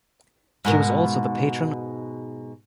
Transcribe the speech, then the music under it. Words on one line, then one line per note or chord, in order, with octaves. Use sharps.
She was also the patron of the Women's Institute of Negeri Sembilan.
G#2 B2 A#4